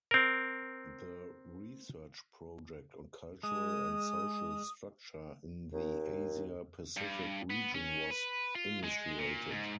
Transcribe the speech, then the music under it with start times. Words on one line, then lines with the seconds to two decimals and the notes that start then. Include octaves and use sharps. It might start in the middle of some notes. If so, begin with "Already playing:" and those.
The research project on cultural and social structure in the Asia-Pacific region was initiated.
0.11 C4 A#4
3.43 G#3 D#6
5.73 D#2
6.97 G2
7.50 B3
7.75 C#4
8.10 B4
8.55 F4
8.84 G#3
9.19 A#2
9.51 G#2